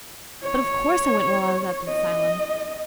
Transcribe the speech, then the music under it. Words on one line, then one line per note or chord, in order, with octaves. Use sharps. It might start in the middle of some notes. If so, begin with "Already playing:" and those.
But of course I went while I was at the asylum.
C#5
D#5